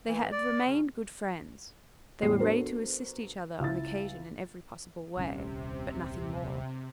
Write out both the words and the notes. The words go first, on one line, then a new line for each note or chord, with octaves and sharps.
They had remained good friends; they were ready to assist each other on occasion in every possible way; but nothing more.
E3
D5
C#3
E2 A2 G3 C7
B3 D4 F#4 A4 A#4 C5
C#2 E4 A6
D#1 C2 C3 C#4